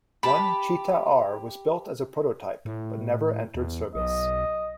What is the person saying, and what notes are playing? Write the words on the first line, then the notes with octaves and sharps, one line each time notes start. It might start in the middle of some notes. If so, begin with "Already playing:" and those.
One Cheetah R was built as a prototype but never entered service.
G4 A5 B5
A2
E2
B1 D#5